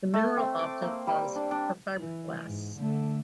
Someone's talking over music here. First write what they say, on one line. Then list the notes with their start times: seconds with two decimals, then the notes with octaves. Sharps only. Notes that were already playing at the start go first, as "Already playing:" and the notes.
The mineral often forms porphyroblasts.
0.14 A3
0.37 C4
0.59 D6
0.82 A#3
1.07 G3
1.35 D4
1.51 D4
1.99 E3
2.44 G#2
2.78 D3 A3